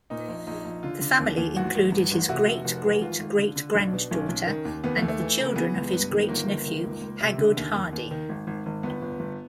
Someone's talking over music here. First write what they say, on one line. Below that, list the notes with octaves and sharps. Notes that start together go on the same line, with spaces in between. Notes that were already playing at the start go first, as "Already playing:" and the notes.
The family included his great-great-great-granddaughter and the children of his great-nephew Hagood Hardy.
A#2 D#4
A#1
A#1 D#4
A#1
D3 F4
D3
D#2
D#2
A1 F#4
A1
G2
A1
C3 F#4
F1
F1
E3
G#1 F4
G#1
D3
D3
B1 D4
B2
B1 C#4
B1
D#3
D#2
D#2 B3
A3
D#2
A3
E3
C#3
A#3
E3 B3
C#2
G2
D#3
G1 A#3
G1
D#3
C#2
C#2
C3
D3
D#2
D#2
D#2
D#3
G#1
G#1
G#1
G1 B3
G1
G1